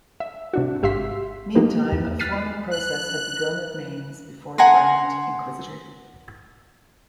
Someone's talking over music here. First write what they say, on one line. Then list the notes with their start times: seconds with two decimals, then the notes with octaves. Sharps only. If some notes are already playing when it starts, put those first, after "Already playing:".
Meantime a formal process had begun at Mainz before the grand inquisitor.
0.20 E5
0.54 C3 D4 F#4
0.82 G#1 G4 E5 F5 C6 B6
1.55 F3 A#3 D#4 G4 B4
1.92 E2
2.19 F6 F#6 A6 B6 C7 D#7
2.71 F#6
4.58 F#5 G#5 A#5 C6